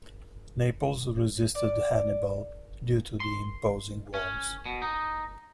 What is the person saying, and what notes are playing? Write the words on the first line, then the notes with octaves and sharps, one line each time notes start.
Naples resisted Hannibal due to the imposing walls.
D5
C6
C#4
B2
D#4